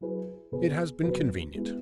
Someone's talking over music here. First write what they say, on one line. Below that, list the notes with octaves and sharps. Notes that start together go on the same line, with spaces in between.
It has been convenient.
F#3 E4 G#4 B4
B2 B3 G#4 B4
B2 F#3 B3 F#4 B4
G#3 B3 E4